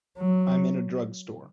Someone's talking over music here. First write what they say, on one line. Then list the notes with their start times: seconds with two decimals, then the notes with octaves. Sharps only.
I'm in a drugstore.
0.18 F#3